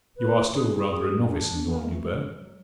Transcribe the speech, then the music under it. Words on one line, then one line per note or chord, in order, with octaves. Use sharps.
You are still rather a novice in your new berth.
B4
G#4
G#4
D4
B3
A#3
G#3
A3
G#3
F#3